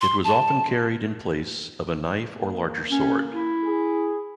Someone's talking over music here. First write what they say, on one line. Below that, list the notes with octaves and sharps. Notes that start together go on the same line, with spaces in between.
It was often carried in place of a knife or larger sword.
C6
A5
A#3
C#4
E4
G#4